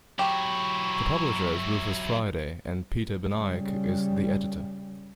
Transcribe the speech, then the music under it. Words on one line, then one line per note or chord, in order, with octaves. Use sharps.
The publisher is Rufus Friday, and Peter Baniak is the editor.
F#3 E4 G4 C#6
C#3 G3